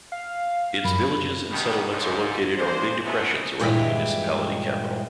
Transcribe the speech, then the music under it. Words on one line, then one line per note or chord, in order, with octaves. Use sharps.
Its villages and settlements are located on big depressions around the municipality capital.
F5
F#2 B5
G2 B2 D#3
C#2 G#2
G#3 A#3 D4 C5
F#3 G#3 A3 B3 C#4 E4
G2 A#2 E3 G#3 G4 E5